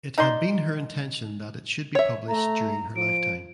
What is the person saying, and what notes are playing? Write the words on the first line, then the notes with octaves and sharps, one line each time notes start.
It had been her intention that it should be published during her lifetime.
D#4 D5 C6
C#5 E5
A3 A#5
F3 D7